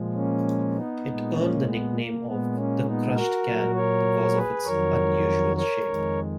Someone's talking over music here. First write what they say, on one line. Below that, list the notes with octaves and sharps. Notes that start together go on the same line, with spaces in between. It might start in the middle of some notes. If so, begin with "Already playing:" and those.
It earned the nickname of "The Crushed Can" because of its unusual shape.
Already playing: A#2 F3 G#3
A#3 C#4
B3 D#4
A#2 G#3
A#3 C#4
B3
A#3
A#2 G#3 B3
A#3 C#4
B3 D#4
F#4 A#4
A#2 F#3
A#4 C#5
G#4 B4
F2 D#3 F#3 A#4 C#5
A#4 C#5
F2 D#3 G#3